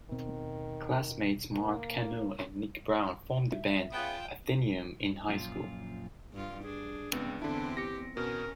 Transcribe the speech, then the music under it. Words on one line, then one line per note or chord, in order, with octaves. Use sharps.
Classmates Mark Kano and Nic Brown formed the band, Athenaeum, in highschool.
D#2 B2 D#3 C4
A#3
E5
C#3 B3 F4 G5 A5
F#2 A#2 F3 F4
G2 F4
D4 G#4
C#2 B3 C4
E2 D3 C4 D4 E4
G4 A#6 C#7
B2 C#4 A#4